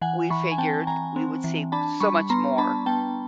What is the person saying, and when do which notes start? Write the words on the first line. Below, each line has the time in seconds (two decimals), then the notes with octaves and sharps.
we figured we would see so much more
0.01 E3 F#5 G#5
0.30 E3 B5 C#6
0.52 G#5
0.58 C4 G5 A5
0.87 E3 G#5 A#5
1.16 C4
1.44 E3
1.72 D4 A5 B5
2.00 G3 B5 C#6
2.30 B3 A#5 C6
2.58 D4 A5 B5
2.86 B3 G5 A5